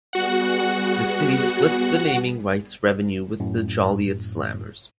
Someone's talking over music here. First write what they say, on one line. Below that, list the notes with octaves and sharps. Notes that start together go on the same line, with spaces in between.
The city splits the naming rights revenue with the Joliet Slammers.
G3 B3 F#4 G#4 F#5
F#2 A2